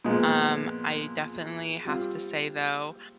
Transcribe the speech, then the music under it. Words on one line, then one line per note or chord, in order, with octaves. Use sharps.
Um, I definitely have to say, though,
A#2 F3 G#3 B3
G3 C4 F4